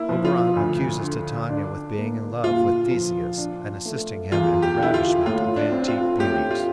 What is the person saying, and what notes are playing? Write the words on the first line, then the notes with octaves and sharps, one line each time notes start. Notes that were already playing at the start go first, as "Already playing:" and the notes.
Oberon accuses Titania with being in love with Theseus and assisting him in the ravishment of antique beauties.
Already playing: A#3 E4
F3
F4
D2
D3
D4
A#3
A#2 F4
F3
D4
A3
E2 F4
G4
D3 E4
F4
A2 F4
D4
C4
F4
A2 G4
F4